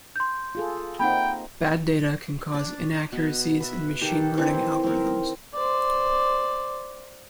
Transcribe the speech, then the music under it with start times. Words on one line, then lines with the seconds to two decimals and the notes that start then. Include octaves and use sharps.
Bad data can cause inaccuracies in machine learning algorithms.
0.16 C6 G6
0.55 F4 G#4 A4
1.00 A#3 C4 D#4 F#5 G5 B5
2.54 D4 D5
3.12 B2 B3 D#5
3.60 B4 E5
4.01 D#3 G4 A4
4.37 D#3 E3 C4 E4
4.83 C4 A#4
5.54 C5 D5